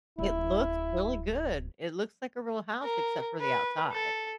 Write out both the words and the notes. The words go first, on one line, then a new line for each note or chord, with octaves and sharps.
It looks really good. It looks like a real house, except for the outside.
D1 E4
A#4
B4
A4